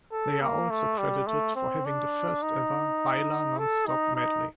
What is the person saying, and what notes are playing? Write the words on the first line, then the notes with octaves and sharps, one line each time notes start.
They are also credited for having the first ever baila non stop medley.
A4
A#3
A3
G3
A3
C4
D4
D#4
A4
D#4
D#4